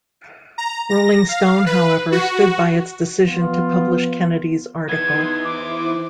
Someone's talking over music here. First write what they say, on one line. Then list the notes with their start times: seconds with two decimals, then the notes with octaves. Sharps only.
"Rolling Stone", however, stood by its decision to publish Kennedy's article.
0.58 A#5
0.90 A#6
1.29 F5
1.66 B4
2.12 F#4
3.28 F3 B3 F4
4.89 E3 B3 D#4 C6 D#6 G#6
5.44 E4 C5 D6